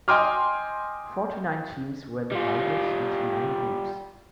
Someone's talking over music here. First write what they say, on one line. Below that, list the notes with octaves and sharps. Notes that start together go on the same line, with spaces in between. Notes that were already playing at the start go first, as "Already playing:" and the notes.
Forty-nine teams were divided into nine groups.
D#5 G5 G#5 C6 D6 F6
G3 F4